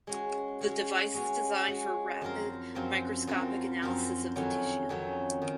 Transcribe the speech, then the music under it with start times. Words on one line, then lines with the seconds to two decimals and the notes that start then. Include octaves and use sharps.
The device is designed for rapid microscopic analysis of the tissue.
0.07 G#3 C#4 F#4
0.61 G#3 C#4 F#4
1.14 G#3 C#4 F#4
1.68 G#3 C#4 F#4
2.21 F#2 F3 C4 F4 A#4
2.75 F#2 F3 C4 F4 A#4
3.27 F#2 F3 C4 F4 A#4
3.82 F#2 F3 C4 F4 A#4
4.36 F2 D#3 F#3 C#4
4.89 F2 D#3 F#3 C#4
5.42 D#3